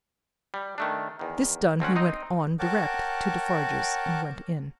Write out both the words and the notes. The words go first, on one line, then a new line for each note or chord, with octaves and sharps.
This done, he went on direct to Defarge's, and went in.
G3
D#3 A3 D4
E2 D#3
D2 C4 C#4 F#5
C4 D#4 D#5
A#4 C#5 F#5 G5 A5 D6